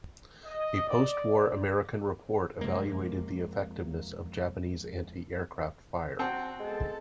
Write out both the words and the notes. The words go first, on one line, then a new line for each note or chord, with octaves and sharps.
A postwar American report evaluated the effectiveness of Japanese anti-aircraft fire.
D#5
D5
F2 C3 G#3 A#3
C4 F#4 F#5 A5
G#3 B3 A4